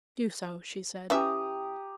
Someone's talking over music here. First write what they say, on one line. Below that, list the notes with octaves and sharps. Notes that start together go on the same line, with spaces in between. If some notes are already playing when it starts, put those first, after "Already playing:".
"Do so," she said.
E3 C#4 G4 E5 A#5 D#6